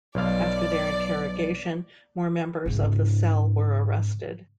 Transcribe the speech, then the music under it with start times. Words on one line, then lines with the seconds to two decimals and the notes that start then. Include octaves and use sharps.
After their interrogation, more members of the cell were arrested.
0.15 B1 D5 F5
2.66 G#2 C#3